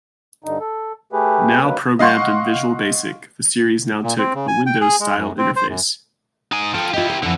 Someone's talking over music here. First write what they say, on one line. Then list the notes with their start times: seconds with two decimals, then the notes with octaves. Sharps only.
Now programmed in Visual Basic, the series now took a Windows style interface.
0.44 G2 D3 D#4
0.60 A4
1.13 A3 G4 G#4 B4
1.62 D#3 F#3 A#3 B4
1.99 D#5 F5 F#5 C6 C#6
4.03 A#2
4.18 C4
4.35 C#3
4.48 G#5
4.66 G5
4.81 G#4
5.00 G#3
5.17 F#2
5.38 C4
5.56 C5
5.69 F#2
6.52 D#4 G#5
6.74 F4 A4 G5
6.93 E4 F4 G4 D#5
7.09 A#4
7.23 F2 D3 E3 F#5